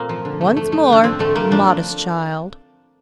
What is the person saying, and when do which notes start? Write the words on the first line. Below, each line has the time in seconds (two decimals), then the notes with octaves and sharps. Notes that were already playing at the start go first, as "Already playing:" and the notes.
'Once more, modest child!'
Already playing: A#2 A3 A#3 C4
0.09 F3
0.25 D3
0.41 A3
0.57 A3
0.72 A3
0.88 D3 D4
1.04 F3 C4
1.19 D3 A3
1.35 A3 A#3
1.51 F3 D4